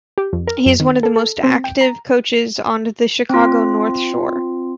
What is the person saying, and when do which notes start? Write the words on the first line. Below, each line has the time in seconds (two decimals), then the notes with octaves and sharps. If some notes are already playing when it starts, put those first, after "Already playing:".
He is one of the most active coaches on the Chicago North Shore.
0.18 G4
0.33 F2
0.47 A#4
0.66 F#2
0.80 D#3
1.03 A4
1.16 A4
1.43 C4
1.64 G5
1.81 A#5
3.30 C4 F4